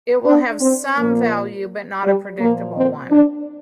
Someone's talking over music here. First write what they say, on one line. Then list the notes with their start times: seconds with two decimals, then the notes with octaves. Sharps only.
It will have "some" value, but not a predictable one.
0.25 D4
0.60 C4
0.97 A#2 F3 A#3
2.04 G3
2.40 A#2 F3 A#3
2.76 C4
3.11 D4